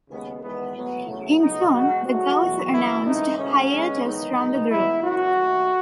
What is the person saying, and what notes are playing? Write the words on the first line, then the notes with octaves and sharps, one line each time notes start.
In June, The Grouch announced hiatus from the group.
D#2 C#3 G#3 B3
E2 D#3 G#3 B3
A2 F#3 B3
E2 C#3 F#3 A3
C#2 B2 F#3 D#4
E2 B2 G#3 F#4
G#2 F#3 A3 F#4
E2 B2 A3
F#2 E3 G#3 B3 E4
G#2 E3 A3 D#4
C#2 C#3 F#3 A3 C#4
D#2 C#3 G#3 B3
E2 D#3 G#3 B3 D#4
B2 G#3 B3
A2 E3 G#3 B3 E4
F#2 C#3 F#3 F#4
D#2 D#3 A3